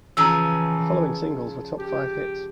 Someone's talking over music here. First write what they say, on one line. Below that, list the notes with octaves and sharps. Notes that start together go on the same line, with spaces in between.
The following singles were top five hits.
C#3 E3 F3 G#4 A#5 E6
G4